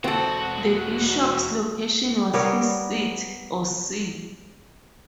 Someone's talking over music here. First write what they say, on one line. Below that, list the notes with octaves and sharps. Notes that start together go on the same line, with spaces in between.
The bishop's location was his "seat", or "see".
E2 C4 F#4 A4
G3 B3 A#4 C#5